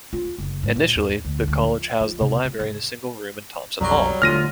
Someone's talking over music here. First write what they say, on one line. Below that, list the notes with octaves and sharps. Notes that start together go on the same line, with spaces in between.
Initially, the College housed the library in a single room in Thompson Hall.
F4
F#1
G#2
A#2
E2
D2
D2
F3
F3
C3
G#3
G#2
B1 F2 F#3 G3 A#5
D#1 D3 A3 F4 F6 A#6 D#7